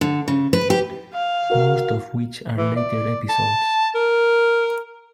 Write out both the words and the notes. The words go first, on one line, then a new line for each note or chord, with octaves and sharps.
Most of which are later episodes.
D3
C#3
B4
G4
F5
F#4 A#4
E3
D5
A5
A#4